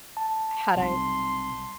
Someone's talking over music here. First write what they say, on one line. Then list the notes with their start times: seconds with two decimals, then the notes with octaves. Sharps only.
had I
0.17 A5
0.76 B1 C3 G3 C6